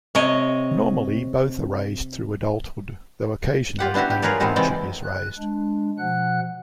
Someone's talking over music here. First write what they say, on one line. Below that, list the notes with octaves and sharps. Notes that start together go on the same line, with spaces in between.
Normally, both are raised through adulthood, though occasionally only one chick is raised.
C3 C#5 D#5
F4 G4 F#5
B3 D4 E4 F#4 G4
G4
F4 G#4 A#4 B4 C#5 D5
B2 E3 G#3 C4 D#4 F4
C3 E3 G#3 D5 G5
F#6
G#3 D4
B2 F3 F#5 F#6